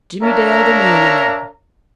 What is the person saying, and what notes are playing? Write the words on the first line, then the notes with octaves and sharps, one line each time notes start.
Jimmie Dale the millionaire!
D4 A#4 C#5 E5 F5 A#5